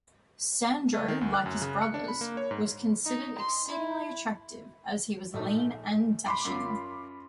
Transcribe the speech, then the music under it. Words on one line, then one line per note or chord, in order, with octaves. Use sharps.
Sandro, like his brothers, was considered exceedingly attractive, as he was lean and dashing.
A3
D#3
D2
F#6
F#2
C#3
C#7
D4
B5
A#3
C#5
G#2
D#4
C6
E4
A#1 A3 D#4
B5 C6 D6
F#2 F4